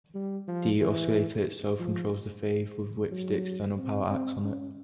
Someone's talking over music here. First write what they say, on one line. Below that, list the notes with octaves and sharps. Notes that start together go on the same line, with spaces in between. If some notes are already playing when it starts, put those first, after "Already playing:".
The oscillator itself controls the phase with which the external power acts on it.
G3
F3
E3
F3
F#3
C4
C4
C#4